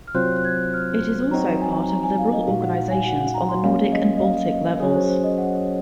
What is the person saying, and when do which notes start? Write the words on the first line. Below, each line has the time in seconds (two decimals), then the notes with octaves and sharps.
It is also part of Liberal organisations on the Nordic and Baltic levels.
0.07 F6
0.15 C3 F#3 C4 F4 C5 F#6
0.37 F#6
0.45 G#6
0.74 F6
1.31 F#3 C4 D#4 F#4 A#5
1.61 G#5
1.89 A#5
2.03 G#5
2.18 F5
2.33 D#5
2.47 A#2 G#3 D#4 F#4 F5
2.62 F#5
2.77 F#5
2.91 G#5
3.06 F#5
3.20 F#5
3.34 A#5
3.49 C6
3.63 F#3 A#3 C#4 F5
3.92 D#5
4.17 D#5
4.22 F5
4.51 D#5
4.80 F#3 C#4 G#4 C#5
4.94 C5
5.09 C5
5.24 D#5
5.38 F#5